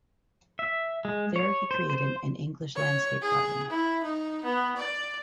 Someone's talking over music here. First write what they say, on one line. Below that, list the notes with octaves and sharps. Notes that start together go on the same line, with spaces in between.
There he created an English landscape garden.
E5
G#3
C#5
C5
C5
C#5
G#4
E4
D#4
B3
D5